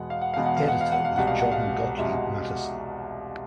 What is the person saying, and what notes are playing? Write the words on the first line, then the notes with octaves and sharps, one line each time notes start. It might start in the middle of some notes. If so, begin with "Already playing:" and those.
The editor was John Gotlieb Matteson.
Already playing: E2 B2 G#3 B3 F#5
F5
F#5
E2 B2 G#3 B3 F5
F#5
F5
F#5
F5
F#5
F5
C2 B2 G#3 F#5
F5
F#5
F5
C2 B2 G#3 E5